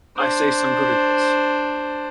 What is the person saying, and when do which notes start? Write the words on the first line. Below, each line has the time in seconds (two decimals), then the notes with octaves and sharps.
I see some good in this.
0.18 D4 C5